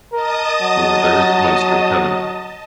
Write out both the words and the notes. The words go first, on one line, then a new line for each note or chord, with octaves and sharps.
Though there is one still coming.
A#4 D#5 A5 D#6
F#3